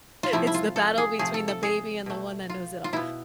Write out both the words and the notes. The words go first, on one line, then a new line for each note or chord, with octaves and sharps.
It's the battle between the baby and the one that knows it all.
F4
C3 F3 A3 E4
E4
F4
A4
G#4
C3 F3 A3 G#4
A4
A4
G#4
B2 A3
F4
F4
B2 B3 E4